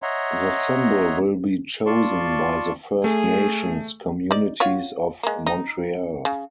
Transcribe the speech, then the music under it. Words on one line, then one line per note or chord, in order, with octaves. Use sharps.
The symbol will be chosen by the First Nations communities of Montreal.
C#5 D#5 E5 F#5 A#5 C6
F4 D5 A5 C6 C#6
A3 G#4
D#4 D5
F4 F#4 C#5
G#3 A#3
D#4
C#3